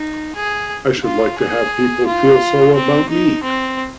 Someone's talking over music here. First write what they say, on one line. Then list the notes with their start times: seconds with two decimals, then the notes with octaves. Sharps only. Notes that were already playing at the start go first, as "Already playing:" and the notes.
I should like to have people feel so about me.
Already playing: D#4
0.36 G#4
1.04 F4
1.38 G#4
2.06 F4
2.75 C4
3.09 D#4
3.43 C4